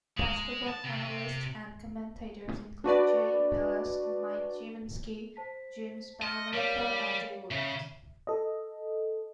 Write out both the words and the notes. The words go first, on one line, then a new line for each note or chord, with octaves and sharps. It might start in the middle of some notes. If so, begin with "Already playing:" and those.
Basketball analysts and commentators include Jay Bilas, Mike Gminski, Jim Spanarkel, and Jay Williams.
G#3
A5
C3
D4 F#4 B4 D5
C5 A5 B6
D#5 C6 F6 C#7
G3 A#4 C#5 F5
C#3 E5
A4 D#5